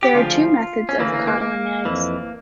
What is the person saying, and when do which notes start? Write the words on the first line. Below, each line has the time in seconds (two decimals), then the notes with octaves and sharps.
There are two methods of coddling eggs.
0.03 G4
0.14 D2 C#3 F3 F4
0.89 C#4
0.99 D2 C#3 E3 A#3
1.13 A#3
1.27 A#3
1.41 A#3
1.85 F2 E3